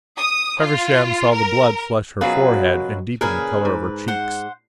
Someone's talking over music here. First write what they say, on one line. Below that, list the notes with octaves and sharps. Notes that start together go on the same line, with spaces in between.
Feversham saw the blood flush her forehead and deepen the colour of her cheeks.
D#6
F4
A#4
F#2 B2 F#3 F4 G#4 B4
A#2 C#3 G#4 A#4 B4 G#5
G#2
C5 F#5